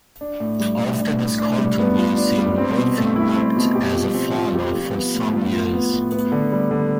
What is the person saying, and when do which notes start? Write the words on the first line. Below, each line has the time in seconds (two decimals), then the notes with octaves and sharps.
After this controversy Murphy worked as a farmer for some years.
0.21 D4
0.40 A2
0.60 G3
0.79 A2
0.99 D4
1.19 A2
1.39 D4
1.58 G3
1.79 B3
1.97 F4
2.17 D4
2.38 G3
2.58 C4
2.78 B2
2.97 A3
3.16 E4
3.36 C4
3.56 B2
3.75 G4
3.95 F3
4.14 C4
4.34 F3
4.55 G4
4.75 F3
4.94 B3
5.13 A2
5.33 F3
5.52 F4
5.73 B3
5.92 A2
6.12 B3
6.32 D3
6.52 G3
6.71 D3